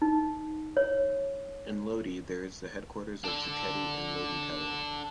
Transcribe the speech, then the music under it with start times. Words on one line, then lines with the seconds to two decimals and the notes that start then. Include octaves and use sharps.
In Lodi there is the headquarters of 'Zucchetti', in Lodi Tower.
0.02 D#4
0.77 C#5
3.24 D4 A4